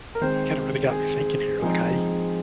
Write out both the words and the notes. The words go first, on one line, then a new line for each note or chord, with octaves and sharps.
Kinda really got me thinking here, like, I
A#4
D#3 G#3 C4 C5
G#4
F3 G#3 C4 D#4 G#4